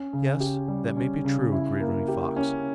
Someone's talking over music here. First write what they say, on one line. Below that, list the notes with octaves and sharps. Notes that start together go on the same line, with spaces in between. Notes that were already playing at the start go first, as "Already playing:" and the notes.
"Yes, that may be true," agreed Running Fox.
Already playing: C#4
C#3
G4
G3
C#4
C#3
E4
A#3
G4
C#4